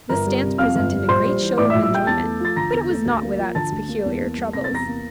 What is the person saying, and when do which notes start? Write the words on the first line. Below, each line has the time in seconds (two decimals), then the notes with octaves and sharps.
This dance presented a great show of enjoyment, but it was not without its peculiar troubles.
0.09 G1 A#4 A#5
0.26 G3
0.43 C3
0.58 F2 F5 F6
0.75 G1
0.92 G3
1.08 A#1 C5 C6
1.25 G3
1.41 E3
1.58 A2 D5 D6
1.70 E5 E6
1.75 A#1
1.83 E5 E6
1.90 G3 G5 G6
2.07 E2 A5 A6
2.23 A3
2.40 F3 A6
2.56 D3 A#5 A#6
2.73 E2
2.89 A3
3.06 D2
3.22 A#3
3.39 F3
3.55 D3 A5 A6
3.72 D2
3.88 A#3
4.05 E2
4.21 A#3
4.37 G3
4.53 C3 A#6
4.64 A6
4.71 E2 A#5 A#6
4.87 A#3